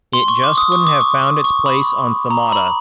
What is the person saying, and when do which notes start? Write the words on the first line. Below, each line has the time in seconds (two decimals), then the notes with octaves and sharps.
It just wouldn't have found its place on Themata.
0.13 C6
0.28 C#6
0.43 D6
0.58 D#6
0.72 C#6
0.87 D6
1.01 C#6
1.44 C#6
1.66 B5
2.30 A#5
2.52 B5